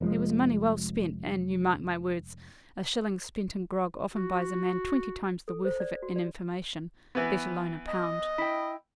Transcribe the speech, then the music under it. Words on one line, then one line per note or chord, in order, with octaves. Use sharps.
It was money well spent, and, you mark my words, a shilling spent in grog often buys a man twenty times the worth of it in information, let alone a pound.
F1 F3 G#3
F#4
A4
C5
D5
F#4
D5
E3 B3
D#5
E4 G5